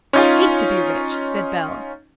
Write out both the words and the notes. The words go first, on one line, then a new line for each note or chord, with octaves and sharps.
"I hate to be rich," said Bell.
C#4 D#4 F4